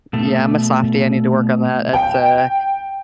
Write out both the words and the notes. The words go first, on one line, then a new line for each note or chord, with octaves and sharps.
Yeah, I'm a softy, I need to work on that, it's, uh,
B2 A3
G5